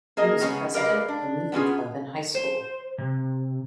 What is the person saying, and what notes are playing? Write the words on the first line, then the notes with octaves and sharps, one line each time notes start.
He was president of the movie club in high school.
A#3 G#4 A#4 D#5
C#3 G#3 B3 C#4 G#4
G4 A#4 B4 D5 D#5 F5
D4
B3 C#4 F4 G#4
C5
C3